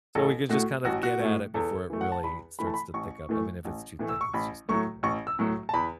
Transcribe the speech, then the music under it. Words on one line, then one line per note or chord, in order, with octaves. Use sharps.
So, we could just kind of get at it before it really starts to pick up, I mean, if it's too thick, it's just not gonna work, but, yeah.
A1 A4
A2 A3 F#4
A1 F#4
F#4
A2 A3
E2 A4
E3 A3
F#5
A5
E2 B5
E3 A3 B5
A5
B5
A1 C#6
A2 E3 A3
A1
A2 E3 A3
E6
C#6
A1 B5
A2 F#3 A3 C#6
A1 C#6
E6
A2 F#3 A3
A5
E2 B5